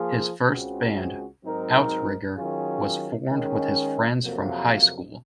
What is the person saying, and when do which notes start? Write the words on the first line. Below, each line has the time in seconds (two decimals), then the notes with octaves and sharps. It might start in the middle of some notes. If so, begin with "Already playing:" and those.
His first band, Outrigger, was formed with his friends from high school.
Already playing: F3 A#3 F4 G#4
0.51 C#2 C#3 G#3 C4 F#4
1.44 G#2 F#3 C4 D#4 A#4
2.37 D#3 F#3 C#4 F4 G#4
3.29 D#3 G#3 C#4
4.22 F2 C3 F#3 A#3